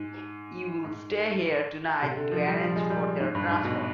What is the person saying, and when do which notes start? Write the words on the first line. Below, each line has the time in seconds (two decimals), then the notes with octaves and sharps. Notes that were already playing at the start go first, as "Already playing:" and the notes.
You will stay here tonight to arrange for their transfer?
Already playing: G#2
0.84 G#2
2.02 C3
2.17 D3
2.32 F3
2.47 G3
2.61 F3
2.76 G#3
2.90 G3
3.20 G#2
3.35 G2
3.50 G#2
3.64 B2